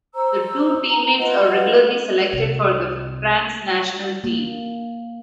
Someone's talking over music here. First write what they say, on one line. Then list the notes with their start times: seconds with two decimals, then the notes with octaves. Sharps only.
The two teammates are regularly selected for the France national team.
0.15 C5 A#5 E6
0.89 A#5
1.18 F4 B4 D#5 F#5
2.33 C2 C3
4.24 A#3